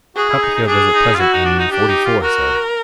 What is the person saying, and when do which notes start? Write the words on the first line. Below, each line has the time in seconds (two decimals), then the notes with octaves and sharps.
Copperfield is at present in forty-four, sir.'
0.16 F#4 G#4
0.29 E4
0.42 D#4
0.55 D#4
0.67 D4 G#4
0.94 D#4
1.14 F4
1.20 E4 F#4
1.33 D#4
1.45 D4
1.58 D#4
1.71 D4 G4
1.88 D#4
2.05 F4
2.23 F#4 A#4